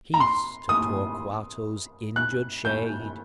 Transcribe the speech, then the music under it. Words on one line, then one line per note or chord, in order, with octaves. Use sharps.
Peace to Torquato's injured shade!
A#5
C6
D#6
F#6
G6